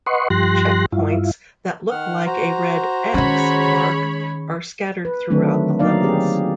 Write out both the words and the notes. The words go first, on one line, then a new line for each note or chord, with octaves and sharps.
Checkpoints that look like a red "X" mark are scattered throughout the levels.
B4 D#5 F#5 C6 C#6
G2 F3 G4 C6 F#6 A#6
G2 E4 F4
D#3 F#5 F6
F#4 C5 A#5
D#3 G#3 C#4 C#5 B5
B4
D3 D#3 F#3 A3 C4 D4
F#3 A#3 D#4 D5 F5
C4 G4 G#4